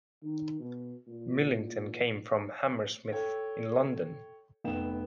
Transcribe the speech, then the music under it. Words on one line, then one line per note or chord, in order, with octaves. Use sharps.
Millington came from Hammersmith in London.
D#3
B2
A#2
A4 C#5 G5
F1 B3 G5 E7